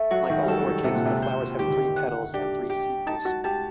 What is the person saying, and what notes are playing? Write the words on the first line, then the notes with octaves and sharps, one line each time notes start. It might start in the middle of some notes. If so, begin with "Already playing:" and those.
Like all orchids the flowers have three petals and three sepals.
Already playing: A3
F#3 F#4
D#3
G3
F#3 A4
F#3
D#3
C3 F#5
A#2
C3
C5
D#3 G4
D3
D#3
F#5
D4 G4
G4
D#4 A5
F#4
G4 A5